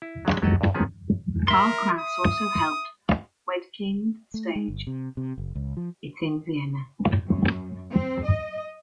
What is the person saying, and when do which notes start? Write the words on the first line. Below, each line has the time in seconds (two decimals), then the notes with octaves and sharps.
Karl Kraus also helped Wedekind stage it in Vienna.
0.02 E4
0.25 F#3 G#3 D4
0.42 F#3 G4 A4 D#5 F#5
0.61 G2
0.74 D#3 F3 F#3 B3 C#4 G#4
1.48 A#4 E5 C6
1.99 D#6
4.34 A3
4.56 G#3
4.68 G1
4.87 C3
5.17 C3
5.38 F#1
5.55 C#2
5.77 F3
7.26 F#2
7.91 C4
8.25 D#5